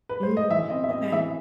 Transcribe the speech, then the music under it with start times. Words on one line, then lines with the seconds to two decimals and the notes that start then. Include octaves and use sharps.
Mm. Okay.
0.09 B4
0.23 C5
0.37 D#5
0.49 E3 E5
0.70 C4 D#5
0.84 E5
0.91 C4 D#5
1.12 E3 E5